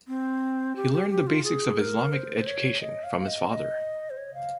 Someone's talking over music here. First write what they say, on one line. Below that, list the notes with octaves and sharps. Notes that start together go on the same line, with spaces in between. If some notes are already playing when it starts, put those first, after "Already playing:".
He learned the basics of Islamic education from his father.
C4
G4
G4
G4
F4
G#4
A#4
C5
C5
C#5
D#5
F5
F5
D#5
D#5
C5
C#5
F5